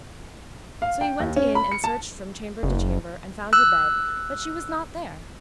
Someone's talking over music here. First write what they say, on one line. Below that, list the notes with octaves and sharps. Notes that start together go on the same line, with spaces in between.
So he went in and searched from chamber to chamber, and found her bed, but she was not there.
F5
G5
D#2
C#4
B5
C#7
A5
F#1
E6 F#6